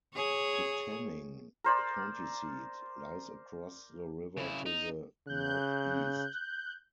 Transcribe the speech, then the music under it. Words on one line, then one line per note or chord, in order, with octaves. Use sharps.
Kittanning, the county seat, lies across the river to the northeast.
G#4 C#5
A#4 C5 D5 E6
C#3 E4
D#4
C#3 F#6 G6